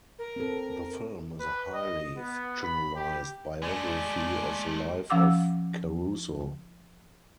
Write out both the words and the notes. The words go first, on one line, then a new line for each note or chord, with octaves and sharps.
The film is a highly fictionalized biography of the life of Caruso.
A#4
C4 A4
B4
D#5
B3
B5
G4
G#3 A3 D5 G#5
F3 C#4 F5 F#5 D6 E6